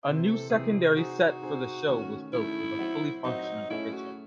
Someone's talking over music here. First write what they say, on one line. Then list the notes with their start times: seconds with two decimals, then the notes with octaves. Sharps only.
A new secondary set for the show was built with a fully functional kitchen.
0.04 C3 E3 C4 C5
0.27 A4
0.50 C3 E3 C4 G#4
0.96 C4 D#4 F#4 G#4 C5
1.41 C4 D#4 G#4 C5
1.87 D#3 A3 C#4
2.33 D#3 A3 C#4 E4
2.79 F#3 C4 F#4 C5 E5
3.25 F#3 C4 D#4 F#4 C5 E5
3.70 A3 C#4 E4 G#4 C#5 E5
3.93 F#4